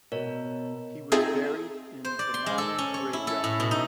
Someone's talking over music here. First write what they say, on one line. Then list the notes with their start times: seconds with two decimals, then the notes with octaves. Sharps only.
He was buried in Banani graveyard.
0.12 B2 A#4 C#5
1.12 C4 D#4 F4 G#4 A4 E5
2.05 C5
2.19 D5
2.34 C6
2.46 G#3
2.58 A4
2.78 C#4
2.94 C#5
3.13 E4
3.27 A4
3.44 A2
3.60 B2
3.71 D#4